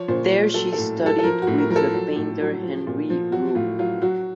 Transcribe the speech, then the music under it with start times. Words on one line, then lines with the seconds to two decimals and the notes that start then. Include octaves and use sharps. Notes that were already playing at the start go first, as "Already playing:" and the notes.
There she studied with the painter Henri Rul.
Already playing: F3 C#5
0.08 A#2 C5
0.31 F3
0.54 F#3 A4
0.73 A4
0.78 A2
1.01 F#3 A4
1.19 A4
1.23 F3 A#4
1.42 F#4
1.47 A2
1.58 A#4
1.70 F3 A#4
1.76 A4
1.94 F#3
2.16 A2
2.40 F#3
2.63 F3
2.87 A#2
3.10 F3
3.32 F#3 F#4
3.55 A2 F4
3.79 F#3 F4
4.02 F#3 F#4